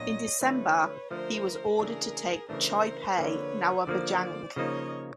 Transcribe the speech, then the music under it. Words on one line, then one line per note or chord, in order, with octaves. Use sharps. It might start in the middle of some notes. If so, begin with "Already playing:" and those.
In December he was ordered to take Chapai Nawabganj.
Already playing: A#2 F#3 B3 D4 F4 C#5 D#5
D3 F3 A3 B4 C#5
D3 F3 A3 A#4 C5
C#3 E3 A3 D4 G#4 A#4
C#3 E3 A3 D4 A#4 C5
D3 F3 A#3 B4 C#5
D3 F3 A#3 C5 D5
C#3 F3 A#3 D#4 C#5 D#5